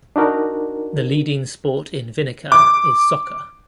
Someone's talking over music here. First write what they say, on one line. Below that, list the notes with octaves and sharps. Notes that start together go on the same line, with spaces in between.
The leading sport in Vinica is soccer.
D4 D#4 F#4 A#4
D6